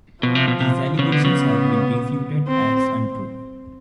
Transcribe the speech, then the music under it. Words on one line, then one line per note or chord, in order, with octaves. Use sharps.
These allegations have been refuted as untrue.
B2 F3
C3
B2
C3
C#3 B3
D3
C#3
C4